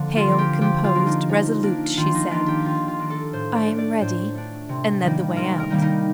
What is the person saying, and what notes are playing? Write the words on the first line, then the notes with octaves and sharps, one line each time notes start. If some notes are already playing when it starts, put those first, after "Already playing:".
Pale, composed, resolute, she said, "I am ready," and led the way out.
Already playing: D3 F3 A#3
F4
F3 A#3
G4
F3 G4
F4
A#3 D4
D#4
F3
A#3 D4
D#3 F4
D#4
A#3 D4 F4
G4
D#3 F4
F4
A#3 D4
A4
A2 C5
D5
A3 D4
D5
A2 C5
A3 D4
C3
D#3 G3 A#3 D#4
C3 A#4
A#4
D#3 G3 A#3 D#4
D#4